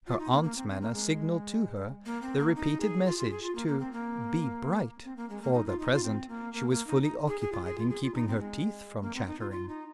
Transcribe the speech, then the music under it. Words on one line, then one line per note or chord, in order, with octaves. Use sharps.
Her aunt's manner signalled to her the repeated message to "be bright"; for the present she was fully occupied in keeping her teeth from chattering.
F4
D#4
A#3
A#3
C4
C4
A#3
G#3
A#3
C4
A#3
D#4
G#4
F4
F4
G#4
F4
A#3
A#3
C4
A#3
C4
A#3
G#3
A#3
D#4
F4
D#4
F4
C4
A#3
A#3
A#3
D#4
D#4
G#4
G#4
F4
G#4
F4
G#4
F4
D#4
C4
G#3
A#3
C4
D#4
F4
F4
D#4